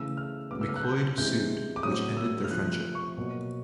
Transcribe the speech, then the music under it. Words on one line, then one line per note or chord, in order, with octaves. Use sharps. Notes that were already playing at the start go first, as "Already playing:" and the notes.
McLeod sued, which ended their friendship.
Already playing: C#3 E3 A3 E6
F6
C#3 F#3 B3 D6
E6
F6
F#6
G6
C3 E3 G#3 C4 G6
D6
A2 F#3 A3 C4 D#6
E6
F6
C3 F3 A3 F#6
F#6
C#6
B2 F#3 A#3